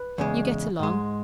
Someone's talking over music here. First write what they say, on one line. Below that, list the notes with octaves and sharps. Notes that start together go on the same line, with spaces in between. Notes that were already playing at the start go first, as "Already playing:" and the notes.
You get along.
Already playing: B4
E2 C#3 G#3
G#2 G#3